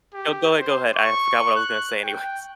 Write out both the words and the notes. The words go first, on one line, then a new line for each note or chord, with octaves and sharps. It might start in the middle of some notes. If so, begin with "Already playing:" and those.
No, go ahead, go ahead. I forgot what I was gonna say anyways.
G4
C5
C#6
F#6
G5